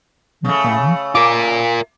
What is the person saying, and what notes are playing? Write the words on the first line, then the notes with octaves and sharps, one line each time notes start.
No problem.
C#3 A3
F4 A#4 D6